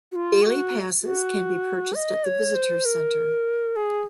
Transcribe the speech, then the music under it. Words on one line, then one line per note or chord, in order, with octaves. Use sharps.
Daily passes can be purchased at the visitors center.
F#4
F4
G#4
F#4
F#4
D#5
C#5
C5
A#4
G#4